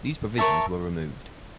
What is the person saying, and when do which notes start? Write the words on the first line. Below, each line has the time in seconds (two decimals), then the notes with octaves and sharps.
These provisions were removed.
0.38 A#4 C#5 E5 A5